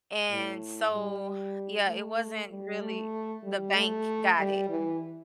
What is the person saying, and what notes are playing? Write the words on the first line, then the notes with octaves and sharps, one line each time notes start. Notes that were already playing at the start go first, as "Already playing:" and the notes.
And so Yeah, it wasn't really the bank got it.
A2
G3
A3
G3
A3
G3
A3
G3
E3